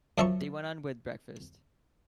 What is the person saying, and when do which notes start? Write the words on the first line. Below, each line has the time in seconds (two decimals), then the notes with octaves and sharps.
They went on with breakfast.
0.18 F#2 F3 E5 A5 A#5 C#6